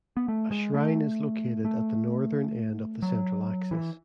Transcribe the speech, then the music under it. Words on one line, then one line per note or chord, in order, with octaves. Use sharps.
A shrine is located at the northern end of the central axis.
B3
A3
G#3
A3
A3
F#3
E3